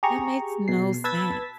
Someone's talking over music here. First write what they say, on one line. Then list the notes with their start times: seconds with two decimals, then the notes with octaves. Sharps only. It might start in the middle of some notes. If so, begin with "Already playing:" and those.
That makes no sense.
0.03 G4 G#4 A#5 C#6
0.68 B2 C7
1.04 B4 A5 E6 G#6 A6 B6